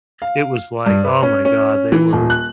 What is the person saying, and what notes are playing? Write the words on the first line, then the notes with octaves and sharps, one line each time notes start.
it was like oh my god, they were
F5
G2
B4
C#4
C#4
E3
D#1
F#6